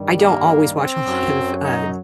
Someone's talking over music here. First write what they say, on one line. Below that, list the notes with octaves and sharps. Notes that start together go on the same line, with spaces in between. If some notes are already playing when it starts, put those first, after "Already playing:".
I don't always watch a lot of, uh,
Already playing: G2 D#3 G3
A#3
C4
F#2 F#3
D#4